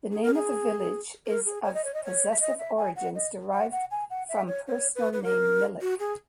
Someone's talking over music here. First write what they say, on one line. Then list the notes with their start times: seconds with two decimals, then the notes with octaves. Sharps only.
The name of the village is of possessive origins derived from personal name "Milik".
0.12 G#4
0.23 A#4
0.35 G#4
1.26 A#4
1.46 G#4
1.64 C#5
1.74 D#5
1.84 C#5
1.94 D#5
2.04 C#5
2.31 E5
2.40 D#5
2.59 E5
2.77 G#5
2.96 F#5
3.15 D#5
3.53 F#5
3.72 F#5
3.91 G#5
4.10 F#5
4.29 E5
4.48 C#5
4.67 C#5
4.95 B4
5.13 B4
5.23 A#4
5.81 F#4
5.99 G#4